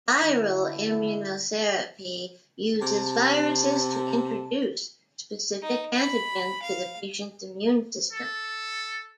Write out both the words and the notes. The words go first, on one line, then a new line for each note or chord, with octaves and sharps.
Viral immunotherapy uses viruses to introduce specific antigens to the patient's immune system.
D3 E4
C3 A5
D#4
B5
F5
A4